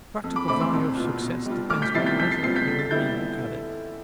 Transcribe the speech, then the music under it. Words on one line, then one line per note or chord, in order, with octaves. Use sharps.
The practical value of success depends not a little on the way you look at it.
F2
B5 D6
D3 A3 C4 B5 D6
C6 E6
C2
B2 B3 F4
B2
G3 D4 F4
D2 D6 F6
G6 B6
C3 G3 B3 E4 A6 C7
G6 B6
F2 G6 B6
A6 C7
C3 G3 B3 F4 A6 C7
G6 B6
D3 B6
A6
G3 B3 E4 G6